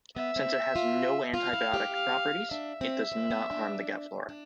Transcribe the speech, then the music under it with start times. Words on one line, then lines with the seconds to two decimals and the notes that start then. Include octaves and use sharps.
Since it has no antibiotic properties, it does not harm the gut flora.
0.16 B3 E5
0.36 C4
0.76 F4
1.34 F4 F5
1.53 E4
1.74 G4
1.93 F5
2.51 D4 E5
2.81 C4
3.12 C4
3.30 B3
3.51 D4
4.29 D4